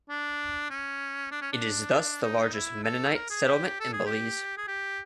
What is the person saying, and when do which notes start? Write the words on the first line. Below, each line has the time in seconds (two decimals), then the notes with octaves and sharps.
It is thus the largest Mennonite settlement in Belize.
0.09 D4
0.70 C#4
1.31 D4
1.41 C#4
1.52 D4
2.23 D#4
2.53 E4
2.84 A4
3.15 A#4
3.30 G#4
3.45 G4
3.80 A4
3.93 G#4
4.06 G4
4.57 G#4
4.67 G4